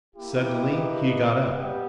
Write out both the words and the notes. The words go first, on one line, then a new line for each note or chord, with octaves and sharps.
Suddenly he got up.
A#3 E4 G4
B4 D#5
G3 B3 G4